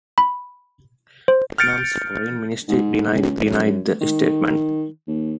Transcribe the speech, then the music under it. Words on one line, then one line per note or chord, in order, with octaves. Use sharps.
Vietnam's foreign ministry denied the statement.
B5
C5
F6 G6 A6 C#7 D7
G#2
C#2
F#2
D#3
D#2